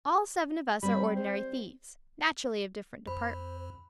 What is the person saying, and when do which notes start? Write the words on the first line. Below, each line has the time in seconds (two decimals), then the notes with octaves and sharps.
All seven of us are ordinary thieves--naturally of different departments.
0.83 G3 C4 B5
1.16 C5
3.07 F2 C5 B5